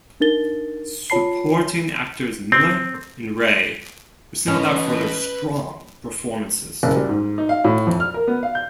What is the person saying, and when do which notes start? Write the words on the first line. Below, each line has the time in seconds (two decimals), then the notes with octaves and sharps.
Supporting actors Miller and Rey were singled out for their strong performances.
0.20 D4 D#4 A#4 A6 G7
1.10 F4 C#5 A5 B5 C7
2.52 C4
4.48 E3 C#4 B4 D#5 A5
6.83 F#1
6.96 G3
7.09 G#2
7.38 D#4
7.49 F5
7.64 A2
7.87 F2
8.00 F6
8.14 A#4
8.27 B3
8.43 F5
8.55 G6